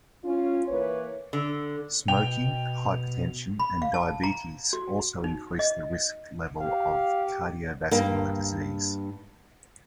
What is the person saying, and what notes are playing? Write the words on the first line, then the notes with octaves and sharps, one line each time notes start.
Smoking, hypertension and diabetes also increase the risk level of cardiovascular disease.
C#4 F4
E3 A#3 B4 C#5
D3
B2 G5 F7
B5
F5
A5
A#5
F#4
D#4
D#5
G4 F5
G2 A#3